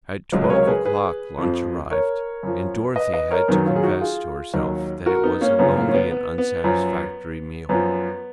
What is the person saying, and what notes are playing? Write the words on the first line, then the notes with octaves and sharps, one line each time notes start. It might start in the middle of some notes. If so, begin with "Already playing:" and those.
At twelve o'clock lunch arrived, and Dorothy had to confess to herself that it was a lonely and unsatisfactory meal.
C#2 C#3 F#3
B4
A#4 C#5
C#5
G#4 B4
G#4 B4
F2 F3
A#4 C#5
F#2 F3
B4 D#5
B4 D#5
A#4 C#5
F#2 D#3 F#3 B3 D#4
C#4 F4
G#4
D#4 F#4
F4 G#4
D#2 D#3 F#3
F#4 A#4
B3 D#4
A#3 C#4
F#2 C#3 F3 B3
A#3
C#4
B3
B3
B3
F#2 F3
F#2 F3 B3